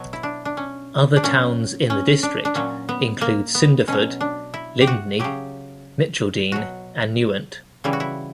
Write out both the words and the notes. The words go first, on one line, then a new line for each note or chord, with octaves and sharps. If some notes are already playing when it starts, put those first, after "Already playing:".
Other towns in the district include Cinderford, Lydney, Mitcheldean and Newent.
Already playing: B2 F#3
E4
D4
D4
C#4
D4
A#2 F#3 C#4
C#4
D4
D4
A#2 F#3 C#4
B3
A#3
B3
B2 F#3 C#4
D4
E4
G4
F#4
C#3 F#3 G4
B2 F#3 F#4
C#3 E3 G3 E4
F#4
E4